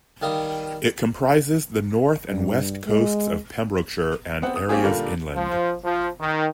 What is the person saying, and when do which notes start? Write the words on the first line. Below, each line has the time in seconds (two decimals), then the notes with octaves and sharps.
It comprises the north and west coasts of Pembrokeshire and areas inland.
0.22 D#3 G3 F5 D#6
2.29 G2
2.86 G#3
4.42 B3 C4 F#5
4.56 D#6
4.69 A#3 C4 C#4 F4 G4 G#4
4.84 A#2 D3 G3 D4 F4 A#4
5.33 F3
5.83 F3
6.19 D#3